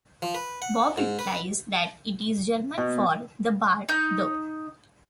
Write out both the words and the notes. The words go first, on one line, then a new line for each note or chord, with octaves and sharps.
Bob replies that it is German for "The Bart, The".
F3
B4
F#5
G#2
B4
B2
D#4 G6